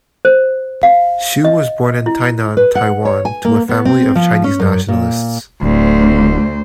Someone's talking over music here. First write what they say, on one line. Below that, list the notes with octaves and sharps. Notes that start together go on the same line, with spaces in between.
Xu was born in Tainan, Taiwan to a family of Chinese nationalists.
C5
F5
D#5
E4
B4
F#5
C#5
G#5
A#3
B3
C4
F3
C#4
F#2
A#2
D1 D2 C5